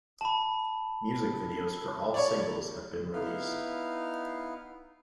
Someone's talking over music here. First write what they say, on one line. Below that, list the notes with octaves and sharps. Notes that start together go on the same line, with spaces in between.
Music videos for all singles have been released.
A5 B5
C#5 D5
B3 D#4 E4 B4 F5 F6